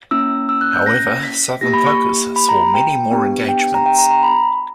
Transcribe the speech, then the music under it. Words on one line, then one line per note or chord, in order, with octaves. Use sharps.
However, Southern Focus saw many more engagements.
A#3 C#4 E4 E6
E6
F#6
G6
A#6
B6
A#3 E4 G4 A#6
B5
C#6
B5
A#5
G5
B3 D4 G4
G5
A#5
G5
A#5
A#5
B5